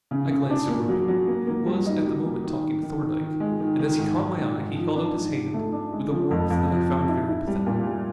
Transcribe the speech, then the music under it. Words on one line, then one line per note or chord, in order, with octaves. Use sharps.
I glanced at Reuben, who was at the moment talking to Thorndyke, and as he caught my eye he held out his hand with a warmth that I found very pathetic.
C#3
C#3
D4
A#3
F#3
F#3
A#3
A#3
G3
D#4
G3
A#3
D#3
D#3
D#3
D#3
D#3
G#3
D#3
D#3
G#2
D#3
G#2
G#2
F3
D4
G#2
G#2
A3
D4
G#3
F3
F2
F2
F3
C3
E4
E4
G3
A#2
G3